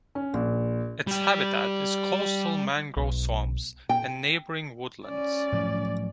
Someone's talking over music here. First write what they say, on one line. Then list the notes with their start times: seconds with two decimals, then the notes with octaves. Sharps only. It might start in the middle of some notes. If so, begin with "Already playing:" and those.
Its habitat is coastal mangrove swamps and neighbouring woodlands.
0.15 C#4
0.34 A#1
1.07 G3 G4
2.97 B1
3.89 G5
5.07 C#4 D5
5.52 A2 F3 F#3